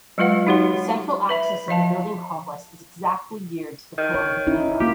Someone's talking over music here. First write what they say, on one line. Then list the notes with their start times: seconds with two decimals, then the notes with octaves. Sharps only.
The central axis of the building complex is exactly geared to the Cologne Cathedral.
0.18 F#3 G#3 F4 B4 F5 F#5
0.47 D#4 F#4 G4 C#5 F#5 C6
1.29 B4 E5 B5
1.68 F3 D#5 F5 A5
3.98 D#3
4.14 C#5
4.47 C#4 D#4 E4
4.81 A#3 F4 G4